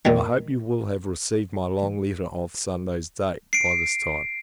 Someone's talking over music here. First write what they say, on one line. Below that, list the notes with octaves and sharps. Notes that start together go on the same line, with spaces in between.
I hope you will have received my long letter of Sunday's date, by this time.
A#2 D#3
C7 D7